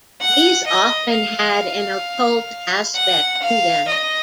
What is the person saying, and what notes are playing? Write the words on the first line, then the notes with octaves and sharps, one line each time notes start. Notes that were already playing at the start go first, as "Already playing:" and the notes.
These often had an occult aspect to them.
F#5
D#5
F5
F#5
F5
D#5